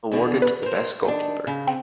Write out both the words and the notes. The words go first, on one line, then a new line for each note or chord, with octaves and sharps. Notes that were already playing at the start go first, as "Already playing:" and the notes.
Awarded to the best goalkeeper.
E2 B2 D3
B4
A#4 C5
D#3 D4
C#3
C4